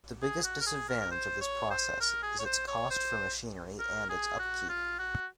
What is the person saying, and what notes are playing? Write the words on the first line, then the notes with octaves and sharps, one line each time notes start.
The biggest disadvantage of this process is its cost for machinery and its upkeep.
G#4
F#4
A#4
G#4
A#4
A#4
C5
C#5
C5
A#4
G#4
C#5
C5
C#5
C5
A#4
G#4
F#4
F4
F#4